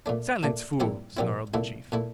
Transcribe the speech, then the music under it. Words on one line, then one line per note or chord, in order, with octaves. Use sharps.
"Silence, fool!" snarled the chief.
A#2 A3 D4
A#2 A3 D4
A#1 A#2 G3 C4 E4
A#1 A#2 G3 C4 E4
C2 A#2 A3 E4
A#2 A3 E4